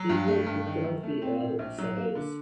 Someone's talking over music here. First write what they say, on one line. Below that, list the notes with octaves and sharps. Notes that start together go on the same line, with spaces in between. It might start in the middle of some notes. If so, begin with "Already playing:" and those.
He worked with Dorothy L. Sayers.
Already playing: F#3
G2
A3
G2
D#3
F#2
A3
C4
A2
A#1
F#3
A#3
D3